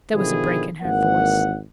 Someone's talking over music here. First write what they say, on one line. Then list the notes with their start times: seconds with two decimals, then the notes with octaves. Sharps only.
There was a break in her voice.
0.12 B2 D3 D#3 F3 E4 G#4
0.80 G#1 E3 A#3 F#5